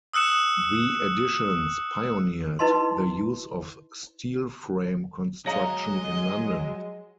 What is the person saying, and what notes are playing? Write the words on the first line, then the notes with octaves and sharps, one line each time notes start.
The additions pioneered the use of steel frame construction in London.
D#6 E6 F#6 C#7 E7
D#4 E4 B4 D#5 A5 C6
F#3 G#3 C#5 D#5 F5 A#5